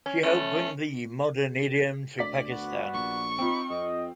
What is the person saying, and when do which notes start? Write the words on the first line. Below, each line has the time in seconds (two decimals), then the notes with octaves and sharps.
She helped bring the modern idiom to Pakistan.
0.06 C#4
0.23 E2 A3 C#4
2.19 D2 D5 B6
2.50 B3 F#4
2.93 A#1 C#6
3.38 C4 D#4 F4 B5
3.70 F2 D#5